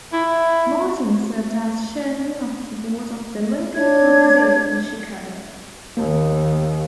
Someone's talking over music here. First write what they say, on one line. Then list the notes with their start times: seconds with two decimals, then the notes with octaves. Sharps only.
Martin served as Chairman of the Board of the Lincoln Park Zoo in Chicago.
0.13 E4
3.75 D4 C#5 G#6
5.97 D#2 A#3